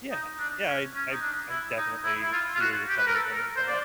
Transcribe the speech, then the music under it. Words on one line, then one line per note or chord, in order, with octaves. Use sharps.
Yeah. Yeah, I I I definitely see where you're coming from with that.
D#4
D4
C#4
C#4
D#4
D4
E4
D#4
E4
E4
F4
F4
F#4
G4
B4
A#4
A4
A#4
C5
D5